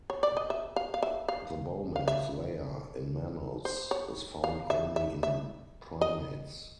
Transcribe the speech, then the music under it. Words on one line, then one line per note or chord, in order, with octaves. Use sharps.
The Bowman's layer, in mammals, is found only in primates.
C#5
D5
D#5
E5
F5
F5
E5
F5
F5
E5
C5
C#5
F5
E5
E5
E5
D#5